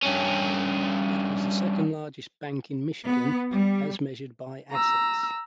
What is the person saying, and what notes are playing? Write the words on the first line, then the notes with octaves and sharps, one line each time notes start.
It was the second-largest bank in Michigan as measured by assets.
G2 C#4
B3
G3
A#5 E6